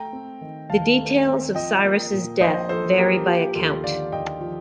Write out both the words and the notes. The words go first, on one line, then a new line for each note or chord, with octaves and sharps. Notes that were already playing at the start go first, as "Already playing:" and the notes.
The details of Cyrus's death vary by account.
Already playing: A3 G5 A#5
C4
D#3
D#2 F5 A5
A3
C4
F3 D#5 G5
A#3
A#2
A#1 C5 D#5
F3 A4 C5
A#3 G4 A#4
F3 G4
D#2 F4 A4
D3 D5 F5
D#2 D#5 G5
F3